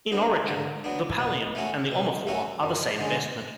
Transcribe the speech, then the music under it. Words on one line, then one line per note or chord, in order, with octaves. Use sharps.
In origin, the pallium and the omophor are the same vestment.
F#3 B3 D4
D3
F#3 B3 D4
B2
A3 C#4 F#4 A4
B2
A3 C#4 F#4 A4
F#2
D3 G#3 C#4